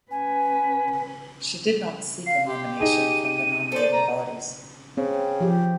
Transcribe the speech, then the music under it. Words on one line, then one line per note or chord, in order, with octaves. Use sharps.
She did not seek a nomination from the nominating bodies.
C#4 B4 G#5
F5 C7
G4 C6
D#4 G#4 D#7
A4 C5 D5
A#5
C#3 C4
F3 G4